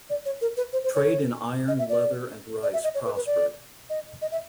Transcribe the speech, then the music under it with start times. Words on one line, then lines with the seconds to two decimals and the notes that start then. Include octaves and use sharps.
Trade in iron, leather and rice prospered.
0.10 D5
0.26 C#5
0.41 A#4
0.57 B4
0.73 C5
0.84 C5
0.95 C#5
1.68 D#5
1.79 E5
1.89 D5
2.63 D5
2.73 E5
2.84 D#5
2.95 C#5
3.05 B4
3.16 B4
3.26 D5
3.90 D#5
4.22 D#5
4.32 E5